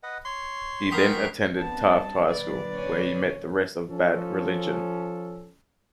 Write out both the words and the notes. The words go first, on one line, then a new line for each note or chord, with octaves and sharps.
He then attended Taft High School, where he met the rest of Bad Religion.
B4 D#5 F#5
C#5 C6 C#6
F#2 A#4 G5 B5 C#6 D#6 B6 C7
G3 B3 C4 D4 A5
A#2 D3 F#3 B4 D5
C#4
F3 C#4 A4